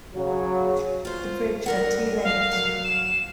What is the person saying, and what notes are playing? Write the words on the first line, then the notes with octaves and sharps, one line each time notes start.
The bridge had two lanes.
C#3 F#3
F4 C5
G2 A#4 F#5
F5
F#3
E7